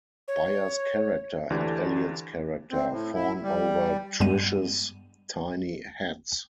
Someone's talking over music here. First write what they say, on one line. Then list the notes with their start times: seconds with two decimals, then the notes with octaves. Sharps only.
Bayer's character and Elliott's character fawn over Trish's tiny hats.
0.28 C#5
1.50 D2 D3 E3 D4 G4
2.72 C4
2.90 A2
3.15 E4
3.43 G3
4.20 G2 G3 G#3 B3 D#7